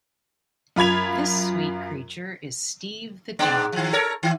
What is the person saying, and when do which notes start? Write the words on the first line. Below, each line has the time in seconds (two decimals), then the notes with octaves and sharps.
This sweet creature is Steve the Dandy.
0.76 F#2 F4 B5 G#6 F7
3.39 G#2 B3 D4
3.72 D#3 F3
3.93 A4 A#4 C#5
4.23 D#3